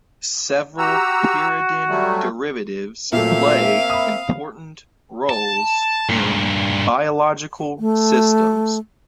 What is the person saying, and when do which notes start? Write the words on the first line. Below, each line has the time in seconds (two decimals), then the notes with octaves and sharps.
Several pyridine derivatives play important roles in biological systems.
0.78 F#4 G4 A#5 E6
1.88 F#3 G3 A3
3.13 A#2 F#3 A3 A#3 C4 E5 F5
3.90 B5 D#6
5.29 A5
6.09 G2 A#2
7.79 A3